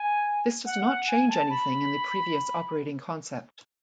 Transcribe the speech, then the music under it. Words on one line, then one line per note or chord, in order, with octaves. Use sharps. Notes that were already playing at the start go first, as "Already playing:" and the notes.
This does not change anything in the previous operating concept.
Already playing: G#5
F#5
F#5
G#5
A5
B5